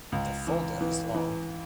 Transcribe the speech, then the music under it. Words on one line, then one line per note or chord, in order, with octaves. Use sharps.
The Fulda is long.
C#2
E3
E3
E3